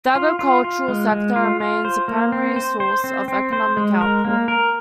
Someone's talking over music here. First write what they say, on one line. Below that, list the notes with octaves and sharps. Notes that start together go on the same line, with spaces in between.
The agricultural sector remains a primary source of economic output.
F4
F4
F4
G#3
G#3
F4
F4
C5
A#3
C4
C5
C5
C4
C4
C5
G#3
A#4
A#3
A#4